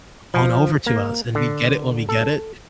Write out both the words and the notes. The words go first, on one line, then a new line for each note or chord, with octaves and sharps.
on over to us, and we'd get it when we get it.
F3
A#3
D3
A4